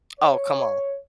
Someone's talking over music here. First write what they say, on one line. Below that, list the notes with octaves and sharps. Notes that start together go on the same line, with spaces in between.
Oh, come on.
C#5